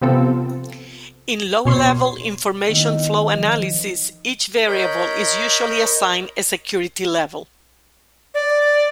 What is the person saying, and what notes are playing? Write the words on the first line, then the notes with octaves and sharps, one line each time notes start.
In low level information flow analysis, each variable is usually assigned a security level.
C3 F3 B3 C4 F4 A4
B2 C#5 C6
D#3 B3 E4
F3
A#4 C#5 D#5 B5 G6
D5